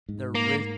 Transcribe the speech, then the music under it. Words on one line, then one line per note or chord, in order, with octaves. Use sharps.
the risk
G#2
A#3